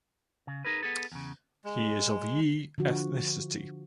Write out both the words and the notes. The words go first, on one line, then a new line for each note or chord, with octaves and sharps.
He is of Yi ethnicity.
C#3
D#4 G#4 A#4 B4
B3 G#4 A4
E2 C#3
G#3
D3 F3 F#4